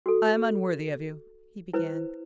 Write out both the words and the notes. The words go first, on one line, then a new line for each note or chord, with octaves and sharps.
"I am unworthy of you," he began.
F#4 A4
E4 B4 C5